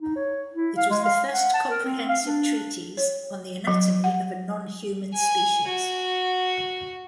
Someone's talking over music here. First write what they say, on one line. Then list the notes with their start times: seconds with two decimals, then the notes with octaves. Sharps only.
It was the first comprehensive treatise on the anatomy of a non-human species.
0.01 D#4
0.16 C#5
0.54 E4
0.77 F5
0.90 G#3
1.05 F5
1.33 F#5
1.54 A5
1.69 A#4
1.85 C4
2.09 F5
2.25 D4
2.97 C#5
3.67 F#3
4.04 F#5
5.14 G#5
5.68 F#4